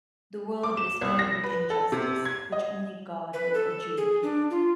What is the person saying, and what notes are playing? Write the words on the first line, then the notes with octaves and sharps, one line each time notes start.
The world is filled with injustice, which only God will adjudicate.
D6
E7
C2
A#6
B4
A4
C3
G#6
D#5
B4
A4
G#4
D4
F4